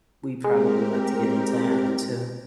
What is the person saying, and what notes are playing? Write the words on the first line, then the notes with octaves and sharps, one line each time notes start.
we'd probably like to get into having too.
G#3 C4 G4 A#4